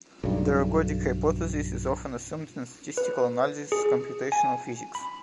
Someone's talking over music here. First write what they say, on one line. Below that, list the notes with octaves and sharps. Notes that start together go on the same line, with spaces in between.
The ergodic hypothesis is often assumed in the statistical analysis of computational physics.
B1 G2
B4
G#4
G#5
B5